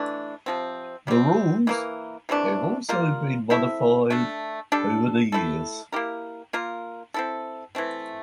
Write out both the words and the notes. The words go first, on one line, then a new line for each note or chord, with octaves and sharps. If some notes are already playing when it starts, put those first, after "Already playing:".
The rules has also been modified over the years.
Already playing: E3 A3 D4
C3 F3 C4
C3 G3 C4
E3 A#3 E4 A#4
C3 E3 A3 D4
G3 A#3 F4 A#4
C4 E4 A4 E5
A3 D4 A4
G3 D4 A4
A3 E4 A4
A#3 E4 G4 A#4
A#3 F4 A#4
C4 E4 A4
E3 A3 C4